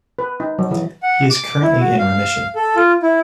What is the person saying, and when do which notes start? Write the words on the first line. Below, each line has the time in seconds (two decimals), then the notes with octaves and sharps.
He is currently in remission.
0.19 B4
0.40 D#4
0.59 F#3
0.71 E3
1.03 F#5
1.31 D6
1.63 E4
1.80 F#4
1.99 F5
2.56 A4
2.76 F4
3.03 E4